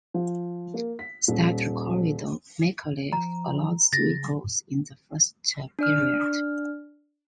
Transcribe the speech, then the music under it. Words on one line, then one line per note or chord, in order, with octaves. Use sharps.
Starter Corrado Micalef allowed three goals in the first period.
F3
A#3
B6
D#1
F3 A#5
C#3 A6 A#6
D4 D5 F6